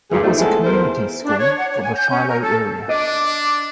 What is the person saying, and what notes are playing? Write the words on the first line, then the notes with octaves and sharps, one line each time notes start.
It was a community school for the Shiloh area.
D2 G2 F4 G#4
E2 F3 G3 A3 D#4
G#3 B3 C4 E4 A4
E2 A#4 C5
D4
C#5
F#5
C#5
G#5
G6
C#4
A#4
A4
D4 D#5 D6